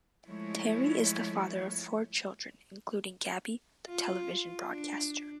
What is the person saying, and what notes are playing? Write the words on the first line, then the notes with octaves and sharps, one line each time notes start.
Terry is the father of four children, including Gabby, the television broadcaster.
F3 G#3 A3 E4 C#5
F4
D4